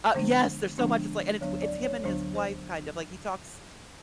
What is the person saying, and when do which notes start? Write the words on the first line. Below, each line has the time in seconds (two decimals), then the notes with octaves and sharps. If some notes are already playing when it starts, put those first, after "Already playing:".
uh, yes there's so much it's like, and it's w it's him and his wife kind of like, he talks,
0.14 D3 F3 G#3 B3 D4 C5
0.78 D3 F3 G#3 B3 D4
1.41 D2 D3 F#3 B3 D4 C#5
1.62 D5
1.83 C#5
2.04 D2 D3 F#3 B3 D4 C5
2.35 C5